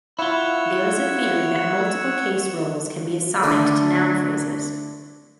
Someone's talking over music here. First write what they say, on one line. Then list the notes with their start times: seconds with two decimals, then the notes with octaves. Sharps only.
There is a theory that multiple case roles can be assigned to noun phrases.
0.19 E4 F4 C#5 F#5 E6
3.43 D3 A3